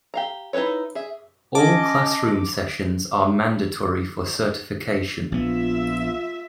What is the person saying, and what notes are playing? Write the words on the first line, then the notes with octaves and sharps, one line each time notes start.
All classroom sessions are mandatory for certification.
G4 F5 A#5
D#4 E4 A4 B4 C#5
G#4 E5
C#4 D#5 A5 D6
A#1 B3 F4 E5